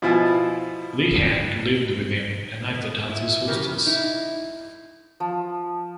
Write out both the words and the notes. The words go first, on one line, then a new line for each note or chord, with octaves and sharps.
LeHand lived with him and acted as his hostess.
B2 F3 E4 F4 G#5
B3
E4
C#3 F3 B3 G4 A#4
D#4 E4
F3